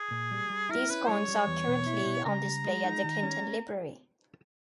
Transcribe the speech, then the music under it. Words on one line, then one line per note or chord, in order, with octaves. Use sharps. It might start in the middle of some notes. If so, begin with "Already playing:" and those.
These coins are currently on display at the Clinton Library.
Already playing: G#4
A#2
G3
G3
E4 A#4
C#4 B4
G3 C#5
G3
E2
B2
E4
B2
C#3 A#5
G3
G#3
D#4
D#3
C#4